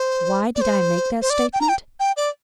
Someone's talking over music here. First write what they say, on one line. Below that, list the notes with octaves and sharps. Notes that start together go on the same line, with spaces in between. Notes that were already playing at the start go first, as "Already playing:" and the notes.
Why did I make that statement?
Already playing: C5
D5
C5
C5
D5
G5
A#5
G5
G5
D5